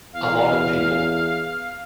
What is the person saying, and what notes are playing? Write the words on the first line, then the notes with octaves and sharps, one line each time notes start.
A lot of people.
E2 F5